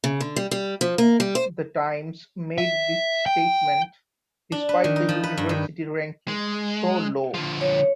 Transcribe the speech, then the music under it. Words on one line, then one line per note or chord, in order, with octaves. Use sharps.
The Times made this statement despite the University ranking so low.
C#3
D3
G3
G3
F3
A#3
G3
C5
E5
G5
D4
B4
D#3
D#4
F3
B4
G2
D#3
G#3
D3 F3
C#5